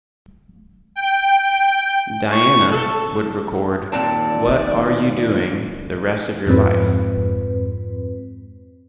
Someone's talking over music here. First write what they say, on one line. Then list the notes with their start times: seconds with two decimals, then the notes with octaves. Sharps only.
Diana would record What Are You Doing the Rest of Your Life?
0.96 G5
2.32 C#6
2.71 A4
3.92 D#2 A#2 C4 D5 A5
6.47 F2 G#2 C4 B4